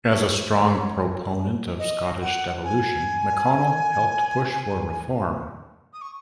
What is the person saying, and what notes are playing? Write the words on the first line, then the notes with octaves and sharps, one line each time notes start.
As a strong proponent of Scottish devolution, McConnell helped push for reform.
C#5
D#5
F#5
G#5
D#6
C#6